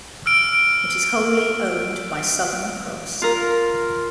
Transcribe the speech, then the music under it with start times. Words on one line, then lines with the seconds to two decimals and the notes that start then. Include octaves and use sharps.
It is wholly owned by Southern Cross.
0.26 E6 F6 D7
3.22 F4 A#4